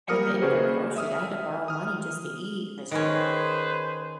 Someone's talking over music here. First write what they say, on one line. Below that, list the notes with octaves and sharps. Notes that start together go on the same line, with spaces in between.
at the end of our groceries. I had to borrow money just to eat this year,
G3 A#3 A#4 D#6 F6 C#7
C#3 A#3 F#4 G#4 B4 C5
E5 D#6 F6
D#6 F6
D#3 C#4 G#4 B4 C5